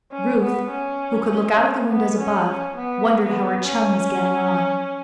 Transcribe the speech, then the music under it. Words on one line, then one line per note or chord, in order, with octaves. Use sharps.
Ruth, who could look out of the windows above, wondered how her chum was getting on.
C#4
B3
C#4
B3
C#4
C#4
B3
B3
C#4